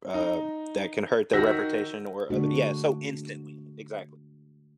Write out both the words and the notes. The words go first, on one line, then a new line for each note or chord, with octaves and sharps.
uh, that can hurt their reputation or other Yeah, so instantly, exactly.
D#4
D#3 F#4 E6 A#6 B6
D3 G#3 A3 D4 F#4